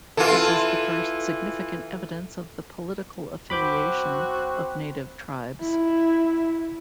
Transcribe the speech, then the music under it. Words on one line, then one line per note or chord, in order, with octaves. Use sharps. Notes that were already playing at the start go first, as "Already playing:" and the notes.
This is the first significant evidence of the political affiliation of native tribes.
E3 F4 A4
C2 C4 F#4 B5 D6 G6
E4